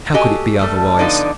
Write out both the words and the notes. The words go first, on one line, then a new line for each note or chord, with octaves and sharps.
How could it be otherwise?
F#4 G4 A4 D#5 G#5
G3 A3 A4
D3 F3 B3 D#4 D5